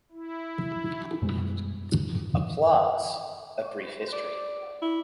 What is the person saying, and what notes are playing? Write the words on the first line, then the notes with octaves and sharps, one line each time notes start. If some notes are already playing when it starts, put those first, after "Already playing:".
Alplaus, a Brief History.
E4
F#2 B2 G3 G#3
D5
E4